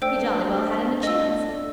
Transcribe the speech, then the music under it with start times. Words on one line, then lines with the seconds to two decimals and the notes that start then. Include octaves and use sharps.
He jolly well hadn't a chance.
0.02 A3 D4 C5 G5 E6
1.03 D#5 E6